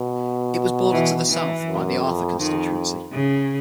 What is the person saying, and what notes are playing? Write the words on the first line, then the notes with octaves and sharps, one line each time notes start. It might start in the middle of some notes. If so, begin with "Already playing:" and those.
It was bordered to the south by the Arthur constituency.
Already playing: B2
E3
E3
F#2
F2
F2 D#3
C#3